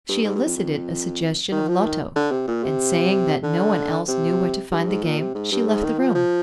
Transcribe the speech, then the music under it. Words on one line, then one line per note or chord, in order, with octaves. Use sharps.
She elicited a suggestion of loto, and saying that no one else knew where to find the game, she left the room.
G2
G#2
G2
F2
F2
D#3
F3
D#3
D3
C3
A#2
C3
D3
C3
G2
G#2
A#2
C3
G#2
G2
G#2
D#3
F3
F3